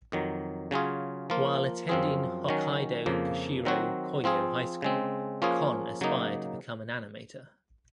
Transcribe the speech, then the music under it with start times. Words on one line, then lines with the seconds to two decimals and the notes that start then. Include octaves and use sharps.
While attending Hokkaido Kushiro Koryo High School, Kon aspired to become an animator.
0.12 F2 D#3 F#3
0.71 C#3 F#3 C#4 F4 G#4
1.30 F3 A#3 F4
1.89 F#2 F3 C4 F4 G#4
2.49 D#3 F#3 C#4
3.06 F2 C#3 F3 A#3
3.65 D#3 F#3 C4 F#4
4.24 F3 C4 F4 G#4
4.82 C#3 G#3 C4
5.42 F3 A#3 C#4 F4 G#4
6.01 C#3 F#3 A#3 D#4